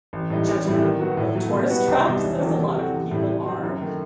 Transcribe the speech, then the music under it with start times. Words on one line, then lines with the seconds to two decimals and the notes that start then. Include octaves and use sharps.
judgmental of tourist traps as a lot of people are.
0.13 A1
0.30 A2 G3 D#4
0.47 A1
0.65 A2 G3 C4 E4
0.82 D#3
1.00 F#3 B3 F#4
1.17 A2
1.35 F#3 A3
1.53 B2
1.70 G3 B3 F#4 B4
1.88 C2
2.06 B2 G3 D#4
2.23 E1
2.40 E2 D#3 F#3
2.58 C3
2.76 F#3 C4 F#4 A4
2.94 A1
3.11 A2 G3 C4 E4
3.28 C3
3.46 F#3 C4 D#4
3.63 F#2
3.81 D#3 A3